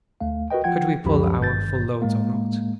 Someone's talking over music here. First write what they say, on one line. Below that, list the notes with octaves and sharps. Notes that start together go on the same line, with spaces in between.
Could we pull our full loads or not?
D2 A3 F5
F#4 A#4 B4 D#5 G5
F3 F4 F#5 G5 G#6
C#2 F#2 F3 G4 B5
G#1 G2 D#3 G6 A6
A2 G#3 A#3